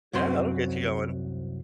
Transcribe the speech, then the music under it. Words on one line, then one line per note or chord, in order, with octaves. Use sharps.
Yeah, it'll get you going.
C2 F#2 F#3 C4 C6